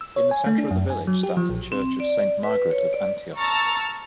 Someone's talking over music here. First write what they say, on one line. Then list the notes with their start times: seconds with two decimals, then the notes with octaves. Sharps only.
In the centre of the village stands the church of Saint Margaret of Antioch.
0.01 E6
0.16 C#5
0.31 G#5
0.46 A3
0.58 D4
0.71 F#2
0.90 G#5
1.07 F#3
1.23 G4
1.37 F3
1.49 A#1
1.72 C4
2.00 D5
2.43 B4
2.71 C#5
2.93 D5
3.36 A5 A#5 C#6 E6 F6 A6